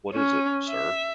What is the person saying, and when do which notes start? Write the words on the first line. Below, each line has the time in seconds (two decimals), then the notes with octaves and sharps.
What is it, Sir?
0.13 C#4
0.68 E5